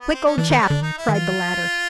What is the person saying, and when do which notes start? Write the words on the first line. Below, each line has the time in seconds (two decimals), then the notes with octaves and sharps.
"Quick, old chap!" cried the latter.
0.00 B3
0.13 C4
0.25 C#4
0.38 E3 D4
0.50 D#3 D#4
0.61 C#4
0.66 D3 D4
0.82 D#3 D#4
0.98 E4
1.08 D#3
1.14 E3 F4